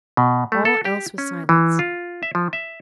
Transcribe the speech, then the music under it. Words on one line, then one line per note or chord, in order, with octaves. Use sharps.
All else was silence.
B2
A3
A4
G4
C#4
E3
F4
E5
F3
E5